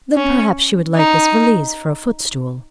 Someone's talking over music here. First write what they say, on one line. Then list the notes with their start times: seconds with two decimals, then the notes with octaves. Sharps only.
Then perhaps she would like this valise for a footstool?
0.16 C#4
0.96 D#4